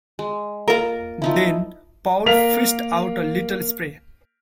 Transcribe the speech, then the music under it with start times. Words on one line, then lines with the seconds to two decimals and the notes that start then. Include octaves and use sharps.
Then Paul fished out a little spray.
0.19 G#3
0.68 A#3 F4 A#4
1.22 F3 D#4 E4
2.26 A#3 A#4 F5 B6 F7